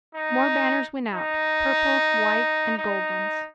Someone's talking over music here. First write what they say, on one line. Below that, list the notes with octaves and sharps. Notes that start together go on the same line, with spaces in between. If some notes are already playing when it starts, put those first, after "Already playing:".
More banners ,went out,-purple, white and gold ones.
D#4
D#4
D#4